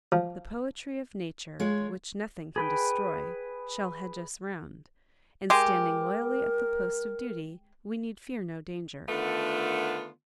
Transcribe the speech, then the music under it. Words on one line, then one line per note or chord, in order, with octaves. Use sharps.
The poetry of Nature, which nothing can destroy, shall hedge us round; and standing loyally at the post of duty, we need fear no danger.
F3
G#3 F4 C#5
G#4 B4 G5
G#3 G4 A#4
D3 D#3 A3 B3 F4